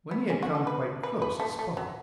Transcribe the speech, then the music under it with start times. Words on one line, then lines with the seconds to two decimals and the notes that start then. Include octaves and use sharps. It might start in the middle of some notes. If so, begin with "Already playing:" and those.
When he had come quite close he spoke.
0.11 B3
0.30 C#4
0.42 F#4
0.55 A4
0.67 B4
1.03 B4
1.22 B4
1.40 A3
1.59 A3
1.77 F#3